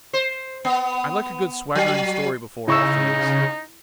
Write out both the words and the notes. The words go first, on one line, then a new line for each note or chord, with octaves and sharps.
I like a good swaggering story before all things.
C5
B3
F#3
C#3 D#4 E4 C#6 E6